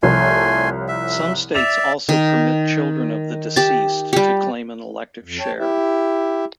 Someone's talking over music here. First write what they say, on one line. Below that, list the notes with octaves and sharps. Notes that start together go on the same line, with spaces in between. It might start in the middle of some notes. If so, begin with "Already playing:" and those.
Some states also permit children of the deceased to claim an elective share.
C2 F3 A3 C#5 G#5 C6
E5
D5 E5 E7 F7
D#3
G4 A5
G3 G4
F2
C#5 G5 A5
E4 G4 E5